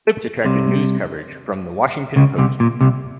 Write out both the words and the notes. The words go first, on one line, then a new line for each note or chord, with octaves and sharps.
The clips attracted news coverage from "The Washington Post".
C2 C3
C#2 C#3
C2 C3
A#2
C2 C3